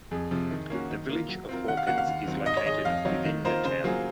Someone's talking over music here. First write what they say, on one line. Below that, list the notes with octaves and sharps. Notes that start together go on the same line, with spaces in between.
The Village of Hawkins is located within the town.
F2 G#4
C3 F3
D#3
A#3 C#4 F#4
D#3
A#3 F4
F#3
C4 F4 A#4
D#3 F#5
F5
A#3 C#4 F#4 F#5
F5
D#2
D#3 F#3 C4
G#2 D#5
C#5
D#3 G#3 D#4 D#5
F2 F5
D#3 F#3 C4 D#4 C#5
D#3
A#3 F4 A#4 C5 D#5
C#3 C5
F#3 A#3 F4 G#4